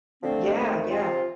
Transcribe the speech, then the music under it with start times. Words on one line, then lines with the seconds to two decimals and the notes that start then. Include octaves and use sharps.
Yeah. Yeah.
0.23 D3 F3 A3 C4
0.55 F2 D#3 A3
0.89 C3 F3 C4 F4